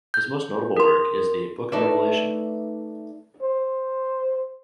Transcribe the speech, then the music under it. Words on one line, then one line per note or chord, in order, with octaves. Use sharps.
His most notable work is the "Book of Revelation".
G6
A#4 C6
A3 D#4 A4 B4 D5 E5
C5